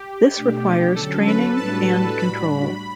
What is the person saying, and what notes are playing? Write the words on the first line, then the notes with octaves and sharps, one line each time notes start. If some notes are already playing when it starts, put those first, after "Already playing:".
This requires training and control.
Already playing: G4
B2 A3 D4
D3 F#3 C#4 A4
B4
A2 G3 D4 F#4 A5
A2 G3 D4 F#4 B5